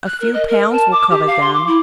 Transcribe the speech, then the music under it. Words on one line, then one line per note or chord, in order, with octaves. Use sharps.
A few pounds will cover them.'
F#6
A#4
D#5
A#4
A5
D6
G4
F5
C6
D6
E4